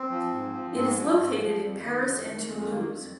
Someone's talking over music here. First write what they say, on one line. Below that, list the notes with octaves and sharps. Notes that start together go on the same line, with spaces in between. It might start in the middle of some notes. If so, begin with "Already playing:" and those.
It is located in Paris and Toulouse.
Already playing: C4
F3
G#2
F3
G#2 C4
G#3
F3
G3
G#2
F3
F2
D#3
F2
D#3
F2 G#3
G#3
D#3 A#3
F2